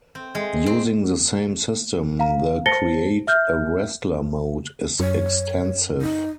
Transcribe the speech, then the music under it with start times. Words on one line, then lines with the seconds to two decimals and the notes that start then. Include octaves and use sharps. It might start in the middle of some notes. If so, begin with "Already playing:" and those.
Using the same system, the Create-a-Wrestler mode is extensive.
0.15 C4
0.35 G#3
0.66 C4
2.19 F5 A#5
2.66 C5 A5 A6 A#6 C#7 G7
3.27 E5 F6 G6
5.00 F#2 C#5
6.02 D#4